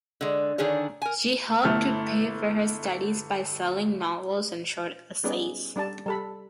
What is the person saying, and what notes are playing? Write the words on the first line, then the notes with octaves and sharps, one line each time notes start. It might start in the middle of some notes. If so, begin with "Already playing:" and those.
She helped to pay for her studies by selling novels and short essays.
D3 G#3
D3 D#3 D4 G#4 C#5
A#4 G#5
G1 A3 E4 F6
G3 B3 C#4 D#4 G#4 D5
G3 D4 D5 A5
G3 A4 B5